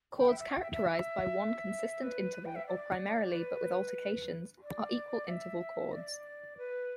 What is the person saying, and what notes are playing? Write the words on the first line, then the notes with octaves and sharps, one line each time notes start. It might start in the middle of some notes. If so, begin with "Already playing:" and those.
Chords characterized by one consistent interval, or primarily but with alterations, are equal-interval chords.
G5
E5
E5
G5
E5
E5
B4
G5
E5
D5
B4
D5
E5
D5
B4